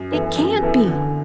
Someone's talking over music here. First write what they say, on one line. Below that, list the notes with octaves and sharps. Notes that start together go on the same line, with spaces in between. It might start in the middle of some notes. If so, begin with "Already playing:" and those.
It CAN'T be.
Already playing: F#2
E3 B3 E4 A4
F#2
E3 B3 E4 A4
D3